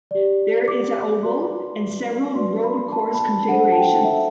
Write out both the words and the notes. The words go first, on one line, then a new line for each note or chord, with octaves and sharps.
There is a oval, and several road course configurations.
G4 D5
D6
F#4 B4 D5 C6
D4 F#4 B4 D5 C6
B5
A5
B5
A5
D4 A4 C5 F#5
A5
G5
E5